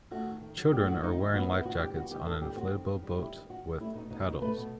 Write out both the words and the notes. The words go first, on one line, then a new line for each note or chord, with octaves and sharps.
Children are wearing lifejackets on an inflatable boat with paddles.
A3 F#4
D#3
D#3
F#3
A3 G4
G4
D#3 F#4
D#3 D#4
F#3 E4
B3 F#4
D#3 E4
D#3 F#4
G3 G4
B3 F#4
D#3 G4
D#3 A4
G3 G4
C4 F#4
D#3
D#3
G3
C4 E4
D#3
D#3 F#4
G3
A3 E4
B2 D#4
B2 D#4
F#3 D#4
A3 B4
B2